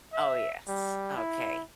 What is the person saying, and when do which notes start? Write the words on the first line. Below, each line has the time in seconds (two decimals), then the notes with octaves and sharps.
Oh, yes. Okay.
0.13 E5
0.68 G3
1.16 E4